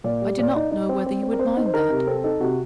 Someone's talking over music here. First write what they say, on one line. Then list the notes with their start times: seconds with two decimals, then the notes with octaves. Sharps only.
I do not know whether you would mind that.
0.04 A#2 D5
0.22 G3
0.38 A#2 D5
0.56 D#4
0.71 D#4
0.89 C4
1.06 C4
1.23 C4
1.33 A#4
1.39 C4 C5
1.57 D#4
1.66 C5
1.74 D#4 A#4
1.90 C3
2.07 C4 A4
2.24 D#4 A4
2.40 C3 F#4